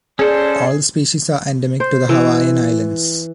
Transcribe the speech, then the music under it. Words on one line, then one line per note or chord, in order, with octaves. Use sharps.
All the species are endemic to the Hawaiian Islands.
C#4 G#4 A4 C5 D5
C5
E3